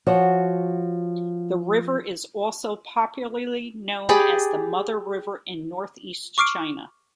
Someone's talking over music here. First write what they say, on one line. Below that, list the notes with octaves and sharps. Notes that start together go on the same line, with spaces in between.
The river is also popularly known as the "mother river" in Northeast China.
F3 F#4 C#5
G4 G#4 D5 B5
C#6 D6 F6 C7 D7